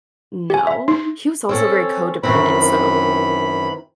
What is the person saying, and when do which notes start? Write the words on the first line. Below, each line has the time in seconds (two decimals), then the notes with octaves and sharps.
know. He was also very codependent, so,
0.50 G4 G#5
0.67 E5
0.88 D#4
1.49 C4 C#4 A4
2.23 F#2 D#3 E3 C4 B5